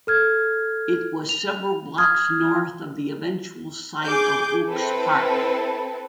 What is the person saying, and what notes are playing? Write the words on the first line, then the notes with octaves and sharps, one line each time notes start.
It was several blocks north of the eventual site of Oaks Park.
A4 F6 G#6
F7
D#6 F6 G#6
G#4 D6 G6
C4 E4 A4 B4